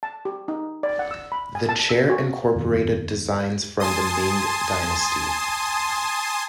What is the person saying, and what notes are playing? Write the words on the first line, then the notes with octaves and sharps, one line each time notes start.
The chair incorporated designs from the Ming dynasty.
A5
G4
D#4
D5
F#5
E6
B5
G#5
A5
E6
F#4
E1 F#2 B2 D#3
G#5 A5 C6 D#6